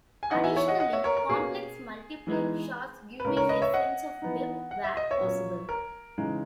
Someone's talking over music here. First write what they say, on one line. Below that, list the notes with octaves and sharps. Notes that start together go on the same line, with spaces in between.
Additionally, complex multiplane shots giving a sense of depth were possible.
G#5
E3 B3 D#4 D#5 F#5
E5 G#5
C#5 E5
D#5 F#5
D#5 F#5
C#5 E5
A#4 C#5
A#4
B2 A#3 C#4 G#4
E3 G#3 B3 D#4
B4
C#3 G#3 C#4 A#4
A#4 C#5
B4 D#5
C#5 E5
D#5 F#5
E3 B3 D#4
F#5
E5
D#5
C#5 E5
A#2 F#3 C#4
A#4
C#3 E3 G#3 D#4